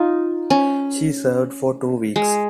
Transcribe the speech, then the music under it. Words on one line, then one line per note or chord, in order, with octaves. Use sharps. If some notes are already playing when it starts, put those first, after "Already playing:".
She served for two weeks.
Already playing: D#4 F4
C#4
G#3